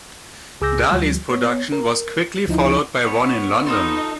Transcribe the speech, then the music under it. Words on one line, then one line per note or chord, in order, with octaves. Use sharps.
Daly's production was quickly followed by one in London.
C#2 G#4 D6 E6 G6 A#6
D2 F3 G3
B3 C#5
A#4
D2 F3 D#4 E4
B3 C#5
D#4 F4 A4 D#6